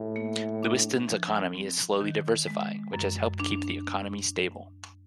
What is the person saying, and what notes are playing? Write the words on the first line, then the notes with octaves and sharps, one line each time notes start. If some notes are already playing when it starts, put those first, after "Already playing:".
Lewiston's economy is slowly diversifying, which has helped keep the economy stable.
Already playing: A2 G4
A#3
D4
F3
C4
D#3
G#3
F#2
D4